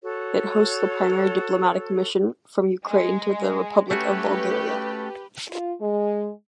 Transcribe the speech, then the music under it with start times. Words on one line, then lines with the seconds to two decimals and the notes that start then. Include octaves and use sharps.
It is hosts the primary diplomatic mission from Ukraine to the Republic of Bulgaria.
0.02 F#4 A4 C#5
2.87 G#3
3.91 A3 C#4 F#4 G4 B4
5.49 F4
5.81 G#3